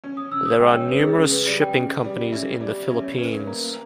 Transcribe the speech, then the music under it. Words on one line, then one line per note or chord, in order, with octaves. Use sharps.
There are numerous shipping companies in the Philippines.
C#4
D#6
C#3 E6
D#6
G#3 G5
C#5
C#3 B4
G#4
C#3
B4
G3
G5
C#3
G3
C#4 E5
G3
C#4 E5
C#5
C#4 B4
A#4
A#3